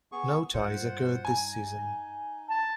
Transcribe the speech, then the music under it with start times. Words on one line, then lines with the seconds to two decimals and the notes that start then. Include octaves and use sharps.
No ties occurred this season.
0.12 B3 G#4 C#6
0.54 G2 F4 C5 F#5
1.25 D#4 G#5
2.49 A5